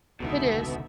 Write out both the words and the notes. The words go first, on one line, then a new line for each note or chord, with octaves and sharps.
It is.
E1 C#2 B2 D3 D#4 E5